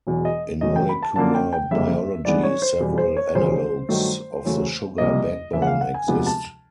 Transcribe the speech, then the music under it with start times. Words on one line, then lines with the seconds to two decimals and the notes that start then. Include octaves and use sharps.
In molecular biology, several analogues of the sugar backbone exist.
0.07 E1 E2 B2 F#3
0.25 D#5
0.61 E1 E2 C#3 F#3 A3 D#5
0.76 G5
0.89 B5
1.02 A5
1.16 F#2 D3 F3 A#3 A5
1.35 G5
1.53 G5
1.71 F#1 F2 D3 G3 A#3 E5
2.25 G2 E3 G#3 B3 D5
2.43 C#5
2.62 C5
2.80 E2 B2 G3
2.98 C5
3.17 C#5
3.35 E1 D2 C#3 F3 C5
3.89 G2 D#3 F#3 A3
4.44 E2 C#3 F#3 A3
4.98 C2 C3 F3 A#3 D#5
5.53 E2 C#3 F3 A#3 E5
5.62 F#5
5.67 F5
5.81 F#5
5.94 G#5
6.08 D2 C3 F3 G#3 B3
6.26 A5